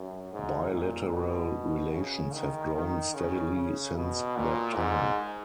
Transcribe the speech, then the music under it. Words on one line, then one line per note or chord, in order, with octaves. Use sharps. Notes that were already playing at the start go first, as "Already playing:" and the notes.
Bilateral relations have grown steadily since that time.
Already playing: F#2
G#2
A#2
B2
C#3
D#3
D#3
C#3
C#3
B2
A#2
G#2